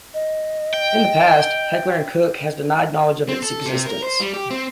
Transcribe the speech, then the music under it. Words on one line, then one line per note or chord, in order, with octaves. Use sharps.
In the past, Heckler and Koch has denied knowledge of its existence.
D#5
G5
C4
A4
C3
A#4
C5
G3
G4
C4